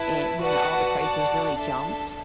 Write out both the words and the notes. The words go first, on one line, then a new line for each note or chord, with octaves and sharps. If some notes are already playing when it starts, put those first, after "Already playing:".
an when all the prices really jumped
Already playing: E4 B4 E5 A5
F#4 B4 D5 F#5 A5
F#4 D5 F#5 A5
D4 A4 E5 A5